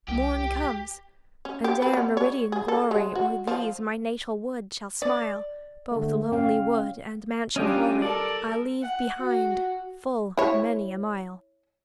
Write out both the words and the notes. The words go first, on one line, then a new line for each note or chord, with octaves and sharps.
"Morn comes--and ere meridian glory O'er these, my natal woods, shall smile, Both lonely wood and mansion hoary I'll leave behind, full many a mile."
C2 G4
C#4
G4
B4
B3
C#5
G#4
A4
G#3
F#4
F3
D5
D3 A3
C#4 F5 G5
G3 C#4 D4 F4 D#5 G5
A4 A#4 D5
F#5
F#4
E4 C#5